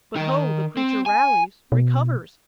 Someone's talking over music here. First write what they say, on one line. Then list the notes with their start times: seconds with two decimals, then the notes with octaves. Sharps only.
But ho! the creature rallies--recovers!
0.16 D#3 D#4
0.77 C4
1.06 G#5
1.72 B2